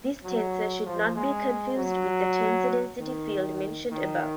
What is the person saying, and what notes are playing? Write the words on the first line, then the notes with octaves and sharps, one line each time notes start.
This tensor should not be confused with the tensor density field mentioned above.
F#3
F3
G#3
F#3
D#3
D#3